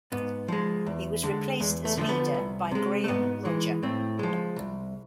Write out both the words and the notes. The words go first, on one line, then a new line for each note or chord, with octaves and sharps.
He was replaced as leader by Graeme Rodger.
G#2 B3
F3 G#3
E2
D3 G#3
E2 G#3
A3
D3 F3 G#3 A3
B3
C2
C3 G#3
A3
G#2 B3
E3 G#3
A2 C4
F3 G#3
C2